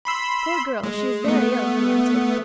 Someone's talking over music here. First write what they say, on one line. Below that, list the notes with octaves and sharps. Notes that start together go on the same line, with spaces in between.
"Poor girl, she is very ill," he answered.
B5 C6 E6
G#3
A3 B3